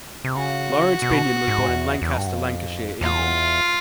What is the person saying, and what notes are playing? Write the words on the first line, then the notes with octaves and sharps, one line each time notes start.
Laurence Binyon was born in Lancaster, Lancashire, England.
C3
C#3 F#4
B2
G#2
E2
E2
G2
F#2
F2
E2 F4